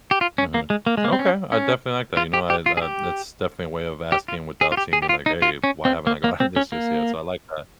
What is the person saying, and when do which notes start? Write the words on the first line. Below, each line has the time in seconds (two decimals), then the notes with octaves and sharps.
Mhm. Okay, I definitely like that. You know, I that uh, that's definitely a way of asking without seeming, like, "Hey, why haven't I gotten this just yet?" So, I like that.
0.11 G4
0.21 F4
0.38 C#4
0.54 A#3
0.70 G#3
0.87 A#3
0.97 G#3
1.04 A#3
1.13 C4
1.19 C#4
1.52 C#4
2.17 F4
2.34 G4
2.50 G4
2.66 F4
2.77 G#4
2.82 G4
4.12 G4
4.28 F4
4.61 G#4
4.72 F4
4.77 G4
4.93 G#4
5.02 G4
5.09 F4
5.26 D#4
5.42 F4
5.64 C#4
5.85 C4
6.07 A#3
6.24 A#3
6.40 C4
6.56 C#4
6.72 A#3